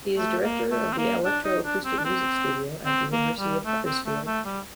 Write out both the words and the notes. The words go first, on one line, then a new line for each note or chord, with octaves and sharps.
He is Director of the Electroacoustic Music Studio at the University of Huddersfield.
A3
A#3
A3
C4
A#3
D4
D#4
D4
C4
D4
C4
C4
A#3
G3
A3
C4
A3
A3
G3